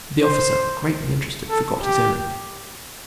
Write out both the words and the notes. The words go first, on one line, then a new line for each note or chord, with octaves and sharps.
The officer, greatly interested, forgot his errand.
C5
A4
G4